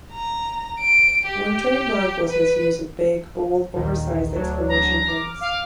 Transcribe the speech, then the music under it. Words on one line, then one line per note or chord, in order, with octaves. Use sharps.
One trademark was his use of big, bold, oversized exclamation points.
A#5
D7
G4
B4
A#1 D#2 D#3
D2 F#3 D4
A#5
D6 F6
F5